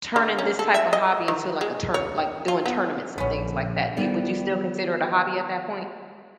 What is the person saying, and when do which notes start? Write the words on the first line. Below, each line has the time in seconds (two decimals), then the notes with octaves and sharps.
turning this type of hobby into, like, a tourna like doing tournaments and things like that? Do you would you still consider it a hobby at that point?
0.16 D3
0.38 C#4
0.59 A4
0.74 E5
0.93 D#5
1.28 D#3
1.61 G#3
1.94 C#5
2.48 F4
2.66 B3
3.18 A#1 D3 B3 C#4
3.97 D#3 G3 B3 A4 C5 D5